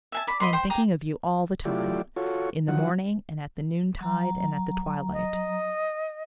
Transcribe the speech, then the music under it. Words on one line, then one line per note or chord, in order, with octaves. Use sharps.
I am thinking of you all the time. . . in the morning and at the noontide and at the twilight.
E5 G#5 A5
D5 B5
D#5 B5 C6
C5 G5
G4 G#4 A#5
F#3 A3 E4 F4 G4 D5
F4 F#4 A4 C#5
D#3 F3 F#3 F#5
F#3 A#5
D#5